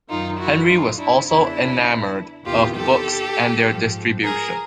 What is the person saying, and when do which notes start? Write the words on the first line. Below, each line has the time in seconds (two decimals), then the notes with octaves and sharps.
Henry was also enamoured of books and their distribution.
0.09 F#2 D#3 D#4 F4
0.39 E4 F#4
0.69 D#4 F4
0.98 D4 E4
1.27 E2 C#3 E3 D4 E4
2.46 E2 C3 D#3 F4 G4
2.76 G4 A4
3.64 G#2 F3
4.24 G#4 A#4